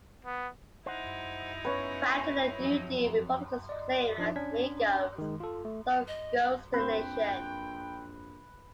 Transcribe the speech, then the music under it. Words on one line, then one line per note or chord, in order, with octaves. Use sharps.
Prior to the New Deal, Republicans claimed As Maine goes, so goes the nation.
B3
D#4 E4 C5 F#5
B3 C#4 B4 C#5
F2 F#3
D5 D#5
F3 D4 D#4
C#4 D4 G#6 B6
D#3 G#3
F4 A4
A3
D#5
A#1 C4 B4 C5 G5